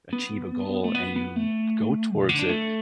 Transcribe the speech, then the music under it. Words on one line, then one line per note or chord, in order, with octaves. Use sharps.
achieve a goal, and you go towards it,
B3
A3
B3
B3
A3
B2
D3
D4
A3